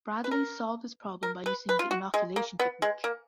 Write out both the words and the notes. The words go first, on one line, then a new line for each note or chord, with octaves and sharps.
Bradley solved this problem by using the inoculation technique.
B4
A#4
A#4
B4
B4
F4
F#4
G#3
A#3
B3
G#3
A#3